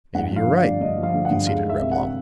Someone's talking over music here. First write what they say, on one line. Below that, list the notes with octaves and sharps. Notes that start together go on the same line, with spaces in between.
"Maybe you're right," conceded Reblong.
G2 F#5
F3
F5
D3
D5
G2
G2 D#5
F3
F5
D3
F#5
G2
G#3 F5
D#3
E5
C3
F#5